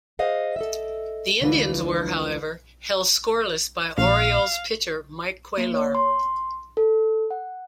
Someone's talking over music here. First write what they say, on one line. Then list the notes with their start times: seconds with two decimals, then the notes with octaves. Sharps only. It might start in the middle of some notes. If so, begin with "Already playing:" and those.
The Indians were, however, held scoreless by Orioles pitcher Mike Cuellar.
0.19 G#4 C5 D#5 F5 F#5
0.56 A4 D#5 E5
1.41 D2 D3 E3 G#3 F4 B4
3.98 A#1 F5
5.58 A#3
5.74 C#5
5.95 C6
6.77 A4
7.31 F#5